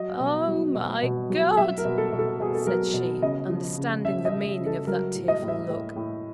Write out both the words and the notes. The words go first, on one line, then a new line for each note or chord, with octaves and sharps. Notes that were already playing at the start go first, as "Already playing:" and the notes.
'Oh, my God!' said she, understanding the meaning of that tearful look.
Already playing: F#3 D#5
B2
F#3
B2
B2
F#3
F#3 E5
A#4
B2
A4
B2
A4
B2 G#4
A4
F#3 A#4
B2
C#3 D#5
F3
C#3
C#3 E5
D#5
C#3
C#3
A4
F#3 A#4
A2
D#5
A2
E5
A2
A2